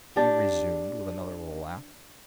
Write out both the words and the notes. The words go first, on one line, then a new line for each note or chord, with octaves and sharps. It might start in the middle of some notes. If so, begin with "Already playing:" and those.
He resumed with another little laugh.
D4 G4